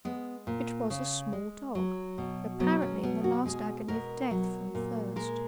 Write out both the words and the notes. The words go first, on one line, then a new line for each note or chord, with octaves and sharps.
It was a small dog, apparently in the last agony of death from thirst.
G#3 B3
A#2
C#3
G#3
F#3
B2
F#3 B3
C#4
B2 B3
F#4
G#3 G#4
B2 A#4
F#3
A#2
G#3 A#4